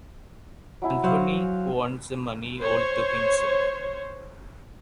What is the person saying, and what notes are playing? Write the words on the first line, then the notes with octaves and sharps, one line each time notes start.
Anthony wants the money all to himself.
F#3 E4 G#5
F#3 C5 F5
C5 C#5